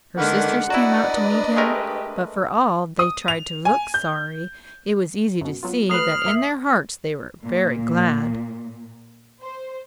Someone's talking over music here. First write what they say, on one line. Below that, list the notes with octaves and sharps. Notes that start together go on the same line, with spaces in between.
Her sisters came out to meet him, but for all they tried to look sorry, it was easy to see that in their hearts they were very glad.
D3 D#3 G#3 A#3 D4 B4 F#5
D4 E4 F#4 B4 D5 D#5 A#5
G#3 A3 G4 A#4
D#6
F7
G#5
G6
F#2 B2
F#3 B3 F4
F#3 A3 B4 D#6 F6 C7 F#7
E2 A#3 E5
A#2
C5